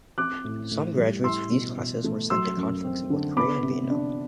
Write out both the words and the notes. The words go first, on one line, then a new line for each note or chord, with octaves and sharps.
Some graduates of these classes were sent to conflicts in both Korea and Vietnam.
C4 D6 F#6
A2
A2
G3
E4 C6 E6
B2
B2
A3
F#3 C6 E6
F#2
C4
D3
B3 B5 D6
C3
D4